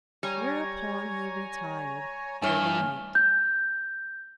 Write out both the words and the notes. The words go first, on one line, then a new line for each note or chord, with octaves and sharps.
Whereupon he retired for the night.
G3 C#5 G#5 A#5
G2 E4 C#5 G#5 F6 A6 B6 G7
G6